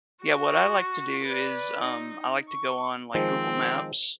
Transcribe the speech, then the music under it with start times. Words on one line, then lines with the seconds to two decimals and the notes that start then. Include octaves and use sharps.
Yeah, what I like to do is, um, I like to go on, like, Google Maps
0.25 F#4
1.26 B4 D5
1.84 D#4
2.48 C#6
3.14 D#3 F3 G#3 C4